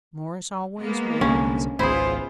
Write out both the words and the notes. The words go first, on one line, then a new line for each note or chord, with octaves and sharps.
Morris always was.
G#3 A#3 B3
C2 D3 C#4
G#1 C#2 B3 E4 F4 G#4 C5